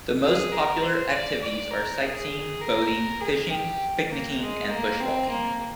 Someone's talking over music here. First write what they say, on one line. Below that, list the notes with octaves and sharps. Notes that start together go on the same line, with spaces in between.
The most popular activities are sightseeing, boating, fishing, picnicking and bushwalking.
G#4
A#4
C5
D5
D5
A#4
G#4
A#4
G#4
G4
A#3
G#3
A#3
C4
A#3